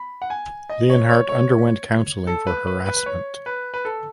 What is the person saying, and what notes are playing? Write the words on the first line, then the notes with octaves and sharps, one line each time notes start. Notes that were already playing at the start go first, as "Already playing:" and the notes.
Leonhardt underwent counseling for harassment.
Already playing: B5
F#5
G#5
D#5
C#5
C#5
C#5
A4
B4
B4
B4
B4
C#5
B4
B4
A4